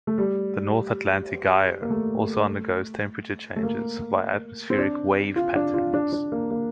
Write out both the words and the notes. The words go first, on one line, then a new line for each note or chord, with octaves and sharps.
The North Atlantic Gyre also undergoes temperature changes via atmospheric wave patterns.
A3
G3
A#3
A3
A3
A#3
C4
D4
F4
D4
F4
D4
D4
A#3
A#3